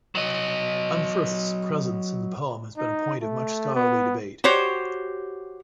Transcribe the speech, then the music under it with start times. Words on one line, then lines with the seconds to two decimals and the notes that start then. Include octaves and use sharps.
Unferth's presence in the poem has been a point of much scholarly debate.
0.15 F#3 D#5
2.78 D#4
3.22 A3
3.75 B3
4.44 F#4 G4 C5 C#5